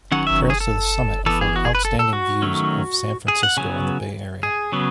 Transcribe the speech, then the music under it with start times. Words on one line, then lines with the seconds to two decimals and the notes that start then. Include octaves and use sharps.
Trails to the summit afford outstanding views of San Francisco and the Bay Area.
0.12 D#3 F#3 C#4 F#5
0.27 E5
0.50 G#4
0.60 A4
1.26 E3 B3 A4
1.41 G#4
1.56 F#4
1.65 G#4
1.75 B4
1.85 A4
1.99 A4
2.13 F#4
2.42 D#3 F#3 A3 C#4
3.28 G#4
3.43 F#5
3.57 C#3 F#3 B3 G#5
4.43 G#4
4.72 C#3 F#3 B3